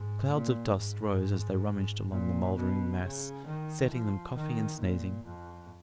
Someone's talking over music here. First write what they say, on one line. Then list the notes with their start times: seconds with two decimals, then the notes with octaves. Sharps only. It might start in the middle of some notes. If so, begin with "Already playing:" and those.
Clouds of dust rose as they rummaged among the mouldering mass, setting them coughing and sneezing.
Already playing: G#2
0.32 A#2
0.76 G#2
2.10 A#2
2.56 B2
3.01 C#3
3.45 D#3
3.91 F3
4.35 D#3
4.79 A#2
5.24 F2